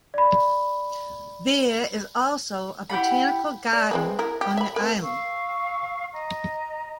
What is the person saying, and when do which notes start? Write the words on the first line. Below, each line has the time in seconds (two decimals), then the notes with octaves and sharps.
There is also a botanical garden on the island.
0.14 D5 B5
2.90 E4 G4 F#5 B5
3.73 D5
3.91 G#3 C4 B4
4.19 E4 A#4
4.41 G4
4.57 E5 B5
4.76 C4 A#4
5.02 F5 C#6 E6
6.13 D#5 A#5